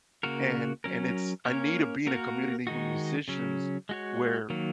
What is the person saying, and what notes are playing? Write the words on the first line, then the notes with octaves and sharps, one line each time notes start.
and and it's I need to be in a community with musicians where
C#3 A#3 F#4 A#4
F#3 C#4 A#4
A#3 C#4 A#4 C#5
A#3 F#4 A#4
D#3 G#3 D#4 F#4
C#3 F#3 C#4
G#3 F#4 C#5
D#3 F#3 A#3